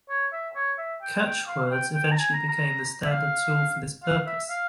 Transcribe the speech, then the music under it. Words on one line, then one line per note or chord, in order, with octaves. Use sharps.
Catchwords eventually became the standard tool for this purpose.
C#5
E5
C#5
E5
G5
G5
F5
G5
G5
A#5
G#5
A#5
A#5
E5
F5
F5
E5
F5